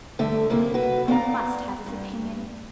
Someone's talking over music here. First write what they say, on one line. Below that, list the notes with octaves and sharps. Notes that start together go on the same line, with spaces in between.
I must have his opinion.
G2 D3 A3 E5
F#2 C3 A#3 E4
F#4 B4
B3 D5 F5 A#5
G2